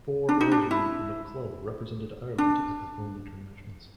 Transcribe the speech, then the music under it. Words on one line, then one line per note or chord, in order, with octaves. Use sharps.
Four oarswomen from the club represented Ireland at the Home Internationals.
D4
D#4
D4
E4
D4